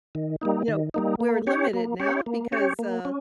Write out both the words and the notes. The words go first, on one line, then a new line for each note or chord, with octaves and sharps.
you know, we're limited now because, uh,
D#3
G3 A#3 D#4
D#3
G3 A#3 D#4
A#3
C#4 G4 C#5
A#3
C#4 G4 C#5
A#3
C#4 G4 C#5
A#3
C#4